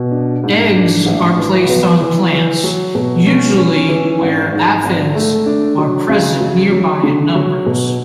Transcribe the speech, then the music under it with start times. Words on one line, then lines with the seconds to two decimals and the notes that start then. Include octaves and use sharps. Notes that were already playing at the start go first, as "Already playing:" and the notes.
Eggs are placed on plants, usually where aphids are present nearby in numbers.
Already playing: B2
0.11 D4
0.43 G#2
0.75 D4
1.06 A1
1.37 E3
1.69 B3
2.01 E3
2.32 E3
2.64 F#3
2.95 B2
3.27 C#4
3.57 C#4
3.89 E3
4.21 G#1
4.52 G#2
4.84 G#1
5.15 A3
5.46 D4
5.78 F#3
6.09 C#3
6.41 F#3
6.72 F#3
7.03 D3
7.35 F#3
7.66 B2